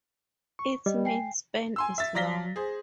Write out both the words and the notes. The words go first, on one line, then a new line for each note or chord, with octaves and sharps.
Its main span is long.
C#6
G3 D#5
G5 G#5 C7
G#5 C6 E6
E5 A6
F#3 D5 F5 A#6 B6 G7
G#4 C5